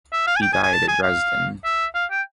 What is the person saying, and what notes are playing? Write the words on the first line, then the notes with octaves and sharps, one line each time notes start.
He died at Dresden.
E5
F5
G#5
G5
G#5
G#5
A5
G#5
F5
E5
F5
G5